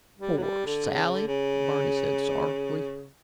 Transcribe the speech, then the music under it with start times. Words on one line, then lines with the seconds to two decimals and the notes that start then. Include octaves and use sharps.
"Pore Sally," Barney said sorrowfully.
0.19 G3
0.37 F#3
0.42 G3
0.66 D3
0.91 C#3
1.15 D3
1.27 C#3